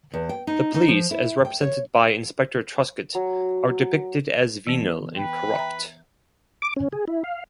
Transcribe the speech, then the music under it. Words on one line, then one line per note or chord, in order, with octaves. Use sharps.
The police, as represented by Inspector Truscott, are depicted as venal and corrupt.
E2
G5
D#4
D#4
F3
E4
G5
C#5
F#3
E3 B3
B4 G5
E5 A#5
D6
C#4
G#4
E4
F5